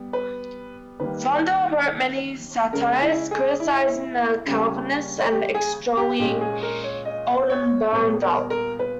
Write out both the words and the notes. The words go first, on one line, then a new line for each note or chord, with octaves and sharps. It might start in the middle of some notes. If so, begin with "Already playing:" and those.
Vondel wrote many satires criticising the Calvinists and extolling Oldenbarnevelt.
Already playing: G3 B3
B4
D#3 G3 A#3 B4
C#3 G#3 C#4 A#4
E4
G#4
E4
C#3 G3 A#3 C#4
G4
G#4
G4
A#2 G#3 C#4 G4
G#4
A#4
C#5
D#5
C#5
A#2 G3 B3 C#5
A#4
A#4
B4